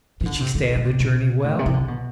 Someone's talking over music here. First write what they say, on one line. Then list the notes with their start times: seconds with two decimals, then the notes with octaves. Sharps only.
Did she stand the journey well?
0.21 E3
0.25 D3
0.40 C3
0.55 D3
0.76 D3
0.85 C3
1.00 B2
1.44 A2
1.59 C3
1.66 E3
1.74 D3
1.88 B2